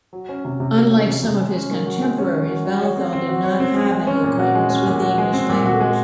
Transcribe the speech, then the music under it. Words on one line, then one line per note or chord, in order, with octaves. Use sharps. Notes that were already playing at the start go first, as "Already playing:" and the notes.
Unlike some of his contemporaries, Vallathol did not have any acquaintance with English language.
F#3
C#4
C3
C3
F#3
C#4
C3
C3
G#3
C#4
D#3
F#4
G#3
C#4
D#3
F#4
F#4
C#5
C4
C4
F#4
C#5
C4
C4
G#3
C#4
A#2
F#4
G#3
C#4
A#2
F#4
G#3
C4
A#2
F#4
G#3